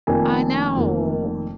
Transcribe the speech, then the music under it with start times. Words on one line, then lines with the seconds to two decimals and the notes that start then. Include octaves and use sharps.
I know.
0.07 F1 F2 D#3 A#3 G#5
0.76 F1 F2 D#3 A#3